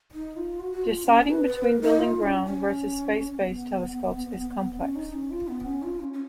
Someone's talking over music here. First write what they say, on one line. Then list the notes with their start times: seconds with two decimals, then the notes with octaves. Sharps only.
Deciding between building ground- versus space-based telescopes is complex.
0.13 D#4
0.36 F4
0.60 F#4
0.73 F#4
0.83 F4
1.06 C#4
1.29 B4
1.47 B4
1.65 A#4
1.82 D#4
1.99 F4
2.22 C#4
2.46 C#4
3.38 B3
4.78 C#4
4.96 D#4
5.13 C#4
5.31 F4
5.48 B3
5.65 C#4
5.83 F4
6.00 C#4
6.13 C#4